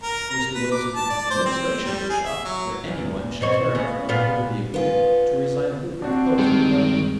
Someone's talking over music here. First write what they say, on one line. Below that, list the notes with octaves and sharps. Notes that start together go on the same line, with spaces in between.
Mr. Wilson and his Administration were shocked that any one should care enough about the liberty of women to resign a lucrative post in the Government.
A#4
A#5
B4
D6
A5
D5
C5
C4
G3
G#4
E5
F#3
E2
B2 C4 C#5
C#3 B3
A#2 B3 F4
B3 C#4 F4
C4 D4 F#4
G2 D#3 G#3